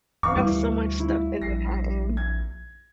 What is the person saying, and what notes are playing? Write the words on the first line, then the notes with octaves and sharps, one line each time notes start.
they have so much stuff in Manhattan.
E2 G2 F5 C#6
D2 E3 G3
E4
A#1 A#6 C7
G#6